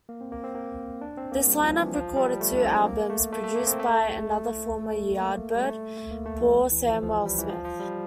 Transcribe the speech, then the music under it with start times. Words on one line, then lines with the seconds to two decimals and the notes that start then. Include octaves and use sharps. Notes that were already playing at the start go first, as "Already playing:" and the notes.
This line-up recorded two albums, produced by another former Yardbird, Paul Samwell-Smith.
0.09 A#3
0.21 C4
0.32 A#3
0.44 C4
0.55 A#3
1.01 D4
1.17 C4
1.32 A#3
1.47 G3
1.63 F3
1.78 E3
1.94 F3
2.17 G3
2.41 A3
2.56 D4
2.63 C4
2.86 A#3
3.10 A3
3.32 A3
3.44 A3
3.55 A#3
3.67 C4
3.79 A3
5.17 A#3
5.55 G3
5.64 A3
5.98 A3
6.11 A#3
6.26 A3
6.40 F3
6.72 E3
6.88 F3
7.03 F3
7.26 G3
7.39 E3
7.49 F3
7.65 F3
7.80 G3